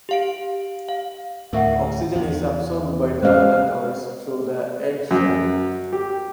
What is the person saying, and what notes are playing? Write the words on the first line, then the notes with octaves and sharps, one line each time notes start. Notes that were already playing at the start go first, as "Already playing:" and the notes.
Oxygen is absorbed by the allantois through the egg shell.
G4 F5 D7
F5
D2 A2 D3 A#4 E5 F#5
E2
G#3 C#4 C5 F5
F#2
G4